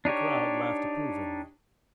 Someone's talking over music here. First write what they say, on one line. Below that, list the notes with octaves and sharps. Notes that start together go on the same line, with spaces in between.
The crowd laughed approvingly.
D4 D#4 G4 C#5